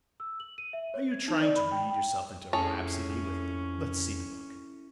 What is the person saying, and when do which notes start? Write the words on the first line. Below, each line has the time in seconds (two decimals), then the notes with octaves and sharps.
"Are you trying to read yourself into a rhapsody with--let's see the book."
0.20 E6
0.40 F#7
0.58 D#7
0.73 E5
0.94 C#5
1.11 G#6
1.28 D#4
1.42 D5
1.56 B5
1.71 G5
1.91 G5
2.53 F2 C#4 E4 G#4 A4 C#5 A5